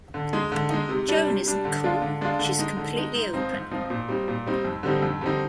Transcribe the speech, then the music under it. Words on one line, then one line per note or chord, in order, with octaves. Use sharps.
Joan isn't cool-she's completely open.
D3
G#3 D#4
D3
G#3 D#4
C3
G3 D4
C3
G3 D4
D3
G#3 D4 F4
D3
G#3 D4 F4
D3
G#3 D#4
D3
G#3 D#4
G#2
F3 C4 D#4
G#2
F3 C4 D#4
A#2
G3 C4 D#4
A#2
G3 C4 D#4
F2
D3 G3 C4 D#4
F2
D3 G3 C4 D#4